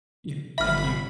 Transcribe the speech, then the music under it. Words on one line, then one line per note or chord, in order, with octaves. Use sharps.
Yeah, thank you.
G1 E5 B5 F6